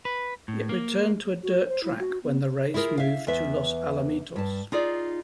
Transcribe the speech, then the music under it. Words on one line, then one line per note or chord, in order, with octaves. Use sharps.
It returned to a dirt track when the race moved to Los Alamitos.
B4
A2
A#3
F#4
C5
E4
F#4
B3
E4 F4 G#4 A#4
E5 F5
E2 B4 E5
G2 A5
D#4 F4 G#4 D5